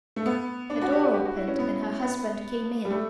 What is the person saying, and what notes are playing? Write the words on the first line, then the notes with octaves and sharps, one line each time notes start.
The door opened and her husband came in.
A3
B3
D4
F#4
G4
F#4
G4
F#4
E4
C#4
B3
B3
G3
A3